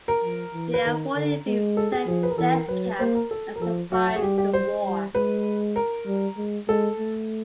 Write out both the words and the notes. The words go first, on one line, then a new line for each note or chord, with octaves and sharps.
They avoided being sent to death camps and survived the war.
A#4
F3
E3
B4
D#3 A#4
D3
G#3
A4
G#4
F3 G#4
B4
A#4
E3 A4
A#4
F#3 B4
B4
A#3 C5
A#4
A4
A#4
F3 A4
F#3 F#4
F#4
G#4
G3 G4
G4
C5
G3
G#3 B4
A#4
G3
G#3
G#3 A4
A3